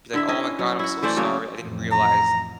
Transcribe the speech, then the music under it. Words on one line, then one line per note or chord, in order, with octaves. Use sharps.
be, like, "Oh my god. I'm so sorry. I didn't realize,"
D3 E4 E5
C#4 E4 D#5
F#3
E4 F#4
E3 A3 C5 D5
C#3 F#3 A#3
A1 F2
A#5